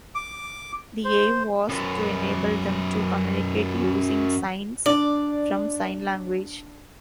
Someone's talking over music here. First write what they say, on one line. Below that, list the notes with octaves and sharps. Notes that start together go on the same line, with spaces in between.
The aim was to enable them to communicate using signs from Sign Language.
D6
C5
F#2 B3
D4 D5